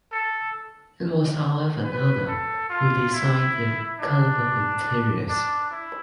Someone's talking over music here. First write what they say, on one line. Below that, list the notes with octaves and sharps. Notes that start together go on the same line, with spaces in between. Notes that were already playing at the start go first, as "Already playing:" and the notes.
It was however Nanna who designed the colourful interiors.
A4
B4
A4
F4
E4
D4
D4
E4